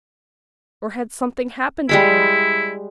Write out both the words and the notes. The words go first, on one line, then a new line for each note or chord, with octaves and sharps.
Or had something happened to him?
G3 G#3 E4 B5